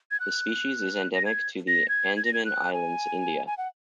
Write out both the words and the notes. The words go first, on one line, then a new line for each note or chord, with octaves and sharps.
The species is endemic to the Andaman Islands, India.
G#6
F#6
A#6
G#6
A#6
G#6
G#6
A#6
G#6
F#6
G#5
G#5
F#5